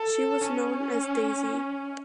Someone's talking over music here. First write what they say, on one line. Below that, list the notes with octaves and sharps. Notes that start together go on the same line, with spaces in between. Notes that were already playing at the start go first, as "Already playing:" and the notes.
She was known as Daisy.
Already playing: A4
C#4